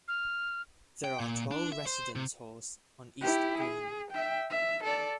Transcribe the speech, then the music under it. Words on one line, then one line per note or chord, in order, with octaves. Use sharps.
There are twelve residence halls on East Green.
F6
G5
A#2
D4
E5
C5
C3
E4 G4
G#4
E5 G5
E5
A4 D5